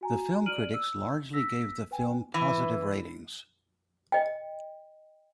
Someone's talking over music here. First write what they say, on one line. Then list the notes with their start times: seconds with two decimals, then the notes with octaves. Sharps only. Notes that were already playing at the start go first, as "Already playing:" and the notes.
The film critics largely gave the film positive ratings.
0.01 F#4 G#5 A#5
0.46 D5 F6 D7 D#7 F#7
0.74 E6
1.33 E6 A#6 B6
1.91 B4 G5 G#5
2.34 E3
4.12 D#5 G5